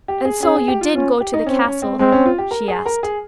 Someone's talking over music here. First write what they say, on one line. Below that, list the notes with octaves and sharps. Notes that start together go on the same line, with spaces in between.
'And so you did go to the castle?' she asked.
G4
G#4
C#4 G#4
G#4
G4
F4
C#4 F4
G4
D#4
C4 C#4
C#4
C4
G#3 C4
C#4
F4
G4
A#4
G#4
A#4
G#4